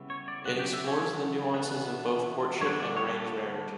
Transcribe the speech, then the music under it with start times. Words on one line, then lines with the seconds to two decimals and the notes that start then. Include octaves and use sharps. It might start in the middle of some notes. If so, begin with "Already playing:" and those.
It explores the nuances of both courtship and arrange marriage.
Already playing: C#3 G3 B3 E4
0.10 C#5
0.28 D5
0.46 C#3 F#3 B3 D4 F#5
0.59 G5
0.73 E5
0.87 C#5
1.53 E3 B3 D4 B4
2.61 D3 G3 B3 D4 C#5
2.80 D5
2.97 C#5
3.09 G4
3.14 A4